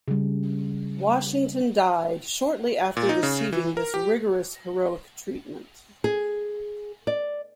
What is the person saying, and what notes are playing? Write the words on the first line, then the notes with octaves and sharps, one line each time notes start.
Washington died shortly after receiving this rigorous heroic treatment.
C#3 G3
A#2
D#4
C#3
E3
A#4
G4
G#4
D5